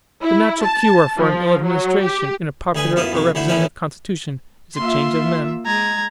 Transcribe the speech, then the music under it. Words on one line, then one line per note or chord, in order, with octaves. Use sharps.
The natural cure for an ill-administration, in a popular or representative constitution, is a change of men.
E4
A5
F3
F#3
G4
D2 G#4 B4 G#5
F#2 B3 E4 F4 D#6
F2 B2 G#3
D2 E3 C5 F#5
E2 A2 D#3 C#4 E4 B4
A#3 F4 E5 C6
G#3 A#5 G#6